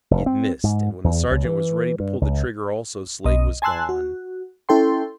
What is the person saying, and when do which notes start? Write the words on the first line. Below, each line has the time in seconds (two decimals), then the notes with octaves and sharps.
He had missed, and when the sergeant was ready to pull the trigger also Slade was gone.
0.11 F1
0.26 C4
0.63 G#2
1.04 E2
1.31 C#2
1.45 E3
2.00 G2
2.21 C#2
3.24 B1 D#5
3.62 G#5 A5 C6 E6 F#6
3.89 F#4
4.69 C#4 E4 A4 G5 C6